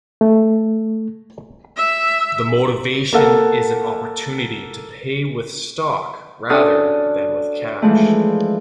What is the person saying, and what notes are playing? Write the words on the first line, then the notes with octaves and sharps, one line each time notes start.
The motivation is an opportunity to pay with stock rather than with cash.
A3
E5
A#3 A4 F#5
C#4 D4 F#4 A4 D#6 F6
E3 F3 G#3 A3